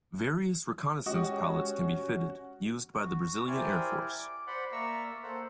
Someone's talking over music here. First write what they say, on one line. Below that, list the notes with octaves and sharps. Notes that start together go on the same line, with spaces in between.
Various reconnaissance pallets can be fitted; used by the Brazilian Air Force.
G#3 C#4 F#4 G4 D#5
F#4
E4 G4 A#4 C5 D5 G#5
D6
C5 D5 F#5 B5 C6
A#3 D5 E5 A#5 C#6 E6
A#3 A4 C5 F#5